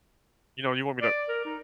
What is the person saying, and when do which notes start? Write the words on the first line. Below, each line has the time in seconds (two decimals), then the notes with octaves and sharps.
you know, "you want me to
1.01 D5
1.28 A#4
1.45 D#4